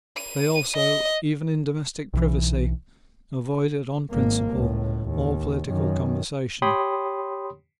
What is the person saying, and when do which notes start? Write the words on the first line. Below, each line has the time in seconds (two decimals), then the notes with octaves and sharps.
They also, even in domestic privacy, avoided on principle all political conversation.
0.16 D#7
0.76 D#5
2.14 B1 E3
4.11 G#1 A#3
4.52 C#2 A2
5.04 D#2
5.68 F#2 D#3
6.62 G4 C#5 G5 B5 C6 D#6